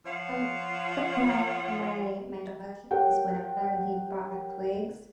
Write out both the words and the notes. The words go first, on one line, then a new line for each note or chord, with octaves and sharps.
Um, so my my my dog, he's went out and he ba twigs,
F3 F4 C#5 F#5
G4 A#4 C#5 F#5 G5